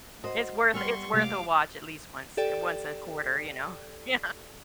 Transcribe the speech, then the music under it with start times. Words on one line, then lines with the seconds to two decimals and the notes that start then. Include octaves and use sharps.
It's worth it's worth a watch at least once, eh, once a quarter, you know? Yeah.
0.24 F#4 C5 D#5
0.74 G3 B3 G#5 C6 C#6 E6 F6
1.14 C3 G#3 A3 F5 D6
2.37 G4 A4 D5 G5